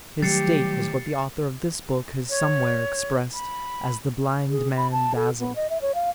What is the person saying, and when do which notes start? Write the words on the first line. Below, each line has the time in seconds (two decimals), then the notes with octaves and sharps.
His state was what the author of this book has somewhere expressed as the blind man dazzled.
0.22 D#3 F#3 G3 A3 G4 A6 C7 C#7
2.30 C#5
3.34 B5
4.50 G#4
4.77 B5
4.92 A5
5.15 A4
5.40 B3
5.56 D#5
5.70 E5
5.81 C#5
5.95 F5